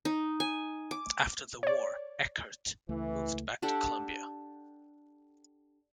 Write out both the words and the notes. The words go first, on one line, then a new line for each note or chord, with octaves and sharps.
After the war Eckert moved back to Columbia.
D#4
G#5
D6
C#5 D5
C#2 E3 A3
D4 G4 A4 F#5